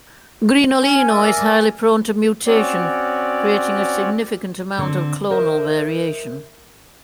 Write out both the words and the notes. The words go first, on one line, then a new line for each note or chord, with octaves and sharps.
Grignolino is highly prone to mutation, creating a significant amount of clonal variation.
C#4 G#5
A#4 D5 E5
C4 C#4 F#4 C#5 D5
D3 C4
A#4 C5 D#5 E5